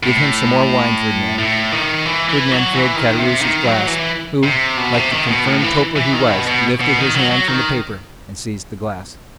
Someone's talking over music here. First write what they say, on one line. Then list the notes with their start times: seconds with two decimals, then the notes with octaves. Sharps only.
"Give him some more wine, Fernand." Fernand filled Caderousse's glass, who, like the confirmed toper he was, lifted his hand from the paper and seized the glass.
0.03 A2
1.38 A2
1.72 D#3
2.06 E3
2.29 E3
2.51 F#3
2.74 E3
2.96 D#3
3.19 C3
3.42 D#3
3.65 F#3
3.87 E3
4.43 C3
4.77 B2
4.94 C3
5.11 D#3
5.28 B2
5.44 A2
5.62 E3
5.96 E3
6.12 D#3
6.29 B2
6.47 B2
6.80 B2
6.98 D#3
7.15 F#3
7.31 F#3
7.48 D#3